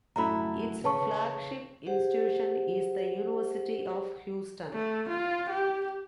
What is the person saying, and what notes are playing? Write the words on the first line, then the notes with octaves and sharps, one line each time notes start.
Its flagship institution is the University of Houston.
F#2 A3 E4 A#5 B5
C#3 B4 A5 C#6
G4 G#4 C5 F#5
A3
F4
G4